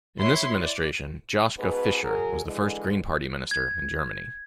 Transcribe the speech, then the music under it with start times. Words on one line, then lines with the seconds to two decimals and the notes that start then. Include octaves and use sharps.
In this administration, Joschka Fischer was the first green party minister in Germany.
0.19 E4 C#5 C6
0.59 D5
1.58 G#2 B2 G#4 B4
2.03 F#3 G#4 A#4
2.45 D3 E3 G#3
3.51 G#6